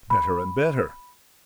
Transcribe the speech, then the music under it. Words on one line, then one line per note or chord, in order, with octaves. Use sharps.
Better and better.
B5